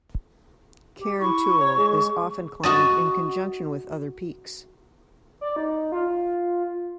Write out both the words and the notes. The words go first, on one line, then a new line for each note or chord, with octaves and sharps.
Cairn Toul is often climbed in conjunction with other peaks.
G4
E4 C#6
C#5
G#3
F#4 D#5 A5
D5
D#4
F4